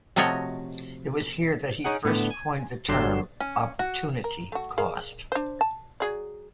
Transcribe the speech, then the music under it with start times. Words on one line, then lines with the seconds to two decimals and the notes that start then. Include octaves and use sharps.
It was here that he first coined the term opportunity cost.
0.16 C3 F3 A3 F#4 C#5 D#5
1.83 C#4 D#4 G#4 F#5 C#7 D7
2.04 A2 D3 B3
2.30 G#5
2.88 G1 D3 F#3 G4 C6 E7
3.40 C#4
3.79 F#4
4.24 A#4
4.52 A3 F#4
4.78 G#4 A#4 F5
5.32 D4 C5
5.61 A5
6.00 F#3 G#4 D5